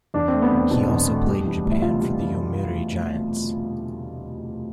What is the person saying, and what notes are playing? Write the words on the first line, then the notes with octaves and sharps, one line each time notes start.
He also played in Japan for the Yomiuri Giants.
E2 D4
C4
A3
B3
E2
C4
B2 D4
E2
A3
G3
E3
D2
E4
C3 F4
G3
E3